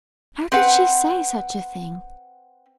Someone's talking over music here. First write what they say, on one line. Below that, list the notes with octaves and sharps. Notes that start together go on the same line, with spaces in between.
How could she say such a thing!
C4 B4 F#5